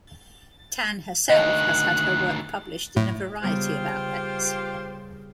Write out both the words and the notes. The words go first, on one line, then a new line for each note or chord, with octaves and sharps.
Tan herself has had her work published in a variety of outlets.
D2 D#3 D#5 F#6
A2
C#3 G3 B3 F4 G4 C5